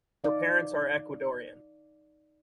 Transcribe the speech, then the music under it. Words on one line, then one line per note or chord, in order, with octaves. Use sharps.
Her parents are Ecuadorian.
D#4 D5 F5